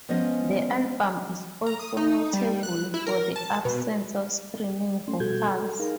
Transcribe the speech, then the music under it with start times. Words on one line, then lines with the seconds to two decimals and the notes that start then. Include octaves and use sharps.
The album is also notable for the absence of screaming vocals.
0.09 F3 G#3 B3 C#4 D#5
1.66 A#5
1.79 D#6
1.97 D#4
2.33 G3
2.63 F#6
2.94 E4
3.07 A#4
3.36 A5
3.65 B2
5.08 A3 C#4 C6
5.20 B2 G3 F#4 A4 G6 G#6
5.53 A4
5.79 D#4 G#4 A#4 F5